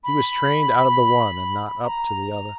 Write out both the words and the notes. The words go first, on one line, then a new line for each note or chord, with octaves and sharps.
He was trained out of the one and not up to the other.
B5
A#5